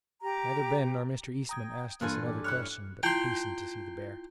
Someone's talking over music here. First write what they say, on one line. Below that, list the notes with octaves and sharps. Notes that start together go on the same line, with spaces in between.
Neither Ben nor Mr. Eastman asked us another question, but hastened to see the bear.
G4 A#5
G5 A#5 D#6 G#6
G2 E3 A#3 F4 A4 B4 F5 G#5
G4
E4 C#5 F6 F#6 C#7
E4 F4 G5 C6